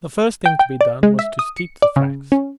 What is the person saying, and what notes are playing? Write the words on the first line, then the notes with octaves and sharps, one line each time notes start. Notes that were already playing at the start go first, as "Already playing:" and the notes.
The first thing to be done was to steep the flax.
G5
G5
D5
G#3
E5
D#6
C#7
D5
C#3
C#4